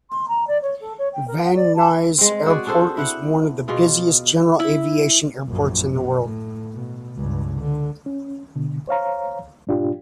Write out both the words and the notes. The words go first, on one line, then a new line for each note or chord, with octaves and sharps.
Van Nuys Airport is one of the busiest general aviation airports in the world.
C6
A#5
D5
C#5
A4
C#5
G5
A#4
F#5
D5
A5
G#3 C4
F#4 G#4 D5
D4 G#4 A4 C5
E4 F#5
B2 F4 G#4 D5
E4
A#1 F#2
B2
A2
B2
C#2 G2
D3
C#4
B2 D3
C5 C#5 F5 A#5
G#2 B2 D4 F4 G4